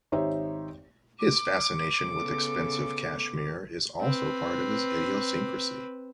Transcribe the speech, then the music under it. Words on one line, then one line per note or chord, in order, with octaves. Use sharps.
His fascination with expensive cashmere is also part of his idiosyncrasy.
G#1 D#4 G4 C5 C#5 E5
D6
C#3 B3 A4
C4 B4